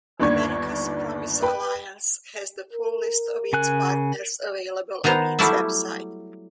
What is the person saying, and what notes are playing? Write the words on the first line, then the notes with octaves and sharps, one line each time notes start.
America's Promise Alliance has the full list of its partners available on its website.
G1 D#2 D4 D5 C#6 G#6
B4 G5 B5
A#4
C#3 G#5 F#6
D#3 B3 C5 A#5
F#3 G3 A3 E4 D5 E5